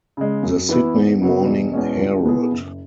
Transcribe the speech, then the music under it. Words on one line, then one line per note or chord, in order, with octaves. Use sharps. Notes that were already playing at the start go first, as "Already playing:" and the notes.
The Sydney Morning Herald.
C#3 G#3
F#2
E3 B3 E4
E2
C#3 F#3 B3
E1
E2 B2 G#3 C#4
C#2
B2 B3 E4 G#4
F#1